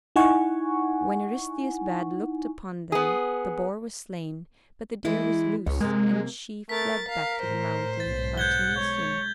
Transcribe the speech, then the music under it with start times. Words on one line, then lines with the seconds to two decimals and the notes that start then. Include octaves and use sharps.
When Eurystheus bad looked upon them the boar was slain, but the deer was loosed and she fled back to the Mountain Artemision.
0.16 D#4 E4 F#5 G#5 C#6
2.92 B3 G#4
5.05 E3 G#3 E4
5.66 C#2 C#5
5.81 C3 G#3 A#3
6.69 A3 A#4 A6 B6
7.09 A#4 F5
7.42 A2 C5
8.00 B1 G#2 A6
8.37 F#5 G6 G#6 G7
8.76 G#3 C#5